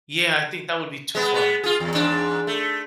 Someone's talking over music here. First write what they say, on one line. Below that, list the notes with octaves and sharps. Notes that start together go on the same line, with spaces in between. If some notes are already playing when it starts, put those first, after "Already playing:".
Yeah, I think that would be too far.
G#3 B3
G#3 B3
F4 G#4
E2
E2 G#2 D4
A3